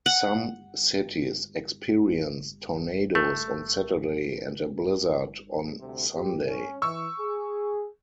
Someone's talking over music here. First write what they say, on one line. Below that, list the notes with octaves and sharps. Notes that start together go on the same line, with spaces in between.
Some cities experienced tornadoes on Saturday and a blizzard on Sunday.
F#5
A3
D2 C3 C5
G4
C#4
E3 C#6 E6
G#4